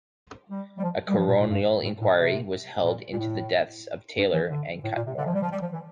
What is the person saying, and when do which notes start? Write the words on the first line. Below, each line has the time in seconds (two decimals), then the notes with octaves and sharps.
A coronial inquiry was held into the deaths of Taylor and Cutmore.
0.50 G3
0.78 G3
0.83 F3
1.09 G3
1.16 F3
1.27 A#2
1.39 A#2
1.49 G2
1.83 A2
2.00 A2
2.17 C3
2.84 A#2
3.12 A#2
3.17 A2
4.17 G2
4.33 E3
4.50 D3
4.84 A2
4.95 A#2
5.06 C3
5.17 D3
5.25 F3
5.33 G3
5.42 F3
5.51 G3
5.61 F3
5.72 E3